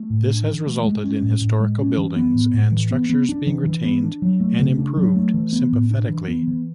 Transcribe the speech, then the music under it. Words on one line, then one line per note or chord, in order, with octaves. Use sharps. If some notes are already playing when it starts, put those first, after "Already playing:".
This has resulted in historical buildings and structures being retained and improved sympathetically.
Already playing: A3
A2
D4
E3
A3
G#3
C#4
A2
A2
G#3
C#4
E3
B3
A2
A2
E3
B3
B3
D4
E3
E3
B3
D4
F#3
A3
C#3
D4
F#3
A3
E3
B3
A2
D4
E3
B3
E3